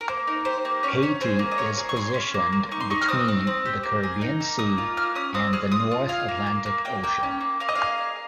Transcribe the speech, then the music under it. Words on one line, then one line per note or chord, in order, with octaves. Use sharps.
Haiti is positioned between the Caribbean Sea and the North Atlantic Ocean.
A#4
A#3 C5
D#4 A#4
G4 C5
A#3
C#4 C#5
C#4 C#5
G#4 C5
A#3
D#5
G#4 C#5
G#4
C#6
G#4 C6
C#4
A#3
A#3
D#4 C#6
C6
D#4 C#6
F6
C4 D#6
C4
C4
G4
A#3
G#4
D#4
A#3
A#3 D#6
F4
A#3 F6
C#4 D#6
C4 D#6
G#4 F6
F4 D#6
F4
G#4 F5
A#3
A#3
A#3
A#3 G5
A#3 G5
C#4
A#3
A#3 F5
D#5
G#4 F5
A#3